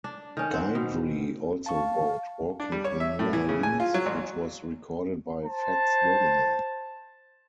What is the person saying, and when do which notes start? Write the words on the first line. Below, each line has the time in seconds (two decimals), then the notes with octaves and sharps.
Guidry also wrote "Walking to New Orleans", which was recorded by Fats Domino.
0.04 D4
0.37 D#3 C#4
0.51 C4 F#5
0.75 B2
1.66 F5 A5 C#6
2.60 D4
2.72 G3
2.84 C#5
3.00 E5
3.19 A2
3.33 E3
3.49 C#3
3.63 G#5
3.80 F4
3.94 F#3
4.06 A1
5.46 C5 A5